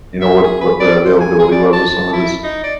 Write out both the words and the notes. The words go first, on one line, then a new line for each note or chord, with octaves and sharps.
you know, what what the availability was of some of this.
E5
G#4
B4
D5
C5
G#5
G#4
D5
A5
E4
D#4
D5